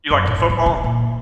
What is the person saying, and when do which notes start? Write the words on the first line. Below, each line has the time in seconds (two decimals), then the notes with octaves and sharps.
You like the football?
0.11 F#2
0.26 A1
0.50 G2
0.66 C#3
0.84 A#2